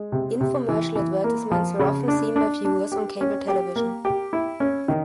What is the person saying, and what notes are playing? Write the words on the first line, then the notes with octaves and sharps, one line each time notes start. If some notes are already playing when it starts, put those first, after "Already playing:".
Infomercial advertisements were often seen by viewers on cable television.
Already playing: G#3
C3
C3
E3
E3
A#3
F3
C#3
D4
D4
D4
G4
C#4
G4
A#3
G4
E4
C#4
D#3